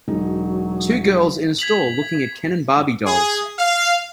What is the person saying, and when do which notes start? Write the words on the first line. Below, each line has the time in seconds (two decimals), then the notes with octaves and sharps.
Two girls in a store looking at Ken and Barbie dolls.
0.08 E1 F#3 D#4
1.59 G#6 B6 F7 F#7
3.06 G#4
3.59 F5